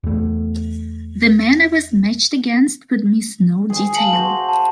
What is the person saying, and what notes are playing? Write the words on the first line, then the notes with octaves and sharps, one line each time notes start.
The men I was matched against would miss no detail.
E2 A3
G#4 G#5
F5 A5 F#7
F#4 C5
A5